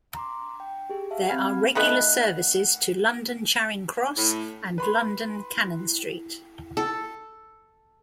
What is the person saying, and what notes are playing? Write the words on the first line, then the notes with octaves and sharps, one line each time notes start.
There are regular services to London Charing Cross and London Cannon Street.
A#5 C6 D6
G5
G4 G#4
E5 F5 A5
C4 G4 F#5 B5 F6 G#6
D#3 A3 B3 B4
A2
B4 B5 C6
A4